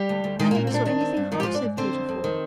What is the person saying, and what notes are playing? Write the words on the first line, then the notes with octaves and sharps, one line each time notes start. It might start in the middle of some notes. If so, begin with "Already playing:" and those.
I never saw anything half so beautiful!
Already playing: G3 G4
D2
D2
D#3 G#3 D#4
A#2 A#3 A#4
C4
A#2 D4
D#3 D4
C4
G2
D#3 F3 D#4
G4
G#2 F3 F4
D4 D5
G#2
D3 C4 C5
F2
F2
D#3